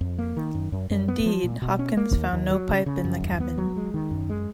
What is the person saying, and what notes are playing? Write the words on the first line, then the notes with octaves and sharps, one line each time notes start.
Indeed, Hopkins found no pipe in the cabin.
F2
A#3
D#3
F#2
F#2
F#2
B3
F3
A#2
B2
C#4
A#3
D#2
D#2
F#3
C#3
C#3
F#2
D#2
B3
F#3
G#3
D#3
F#2
G#3